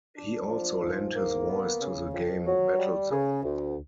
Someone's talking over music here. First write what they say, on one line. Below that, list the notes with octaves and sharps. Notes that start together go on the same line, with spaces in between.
He also lent his voice to the game "Battlezone".
D4
F3
G#2
A#3
B3
C#3
F2
F#3
G3
C#3
D2